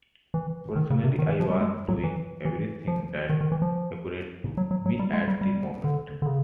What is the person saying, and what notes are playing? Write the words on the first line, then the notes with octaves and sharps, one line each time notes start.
Personally I was doing everything that occurred to me at the moment.
E3
D#3
C#3
C3
D#3
E3
F3
G3
G#3
F#3
E3
E3
F3
D#3
D#3
E3
F3
F#3
F#3
F#3
G3
G#3
G3
G3
D3
D3
C#3